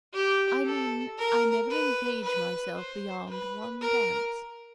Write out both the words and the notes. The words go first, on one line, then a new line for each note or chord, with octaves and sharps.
'I mean, I never engage myself beyond one dance.
G4
A4
A#4
B4
B4
C5
B4
A#4